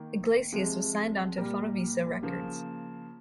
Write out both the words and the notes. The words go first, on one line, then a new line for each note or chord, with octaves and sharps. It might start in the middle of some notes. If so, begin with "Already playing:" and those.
Iglesias was signed on to Fonovisa Records.
Already playing: D#3 A#3
C3 F3 G#3
A#2 G3 A#3 A#4
C#3 F3 A#3